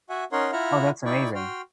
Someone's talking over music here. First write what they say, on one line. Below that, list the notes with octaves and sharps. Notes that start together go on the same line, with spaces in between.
Oh, that's amazing.
F#4 E5 F#5 G#5
C#4 D#4 A#4 C#5 F#5 C6
E4 F4 E5 F#5 A#5 F6
D#4 E4 D5 G5 C#6
F#4 G5 C6 F6